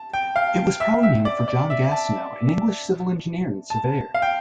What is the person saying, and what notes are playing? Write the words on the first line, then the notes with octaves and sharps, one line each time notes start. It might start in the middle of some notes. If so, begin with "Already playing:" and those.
It was probably named for John Gastineau, an English Civil Engineer and Surveyor.
Already playing: A5
G5
F5
E5
E5
D5
D5
E5
A5
A5
F5
G5